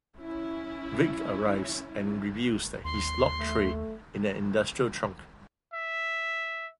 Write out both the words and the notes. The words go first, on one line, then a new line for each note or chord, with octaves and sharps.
Vic arrives and reveals that he's locked Roy in an industrial trunk.
C#4 E4
D#2 C6
A3
E5